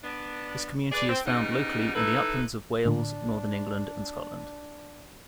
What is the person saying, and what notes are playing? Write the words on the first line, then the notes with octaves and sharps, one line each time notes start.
This community is found locally in the uplands of Wales, northern England and Scotland.
B3 D4
G#4 B4 D5
C4
C#3 G3 B3 D#4
D#4 E4 A4 B4
A2 D3 D4